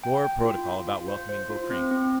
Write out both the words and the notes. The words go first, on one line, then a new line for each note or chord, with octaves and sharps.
More protocol about welcoming Gorkrink.
G5
G5
F4
F4
F4
C5
C5
F4
C4
C4